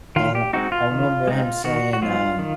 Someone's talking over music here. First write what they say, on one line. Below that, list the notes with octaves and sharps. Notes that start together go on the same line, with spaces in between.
and I I remember him saying, um,
D#3 F4
G4
G#3 C4 D#4 F#4
F4
D#3
G#3 C4 D#4
D#3 F#4
F#4
F#3 B3 F4
D#3